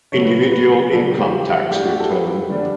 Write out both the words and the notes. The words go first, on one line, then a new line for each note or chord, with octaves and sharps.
Individual Income Tax Return.
C#3 F#3 A3 C#4 C#5
B4
B4
C#3 F#3 B3 D4 A4
G4
G4
A2 G3 D4 G4
F#4
G4
A4
B4
D3 G3 D4